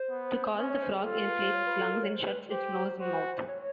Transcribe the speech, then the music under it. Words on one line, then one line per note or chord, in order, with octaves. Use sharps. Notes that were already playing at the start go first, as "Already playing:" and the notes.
To call, the frog inflates its lungs and shuts its nose and mouth.
Already playing: C5
B3
C#4 C5
C#5
C5
G#4
F4 A4
A#4
B4
C5
C#5
B4
A4
A#4
C#5
C5
B4
G4 C5
F#4 C5
C#5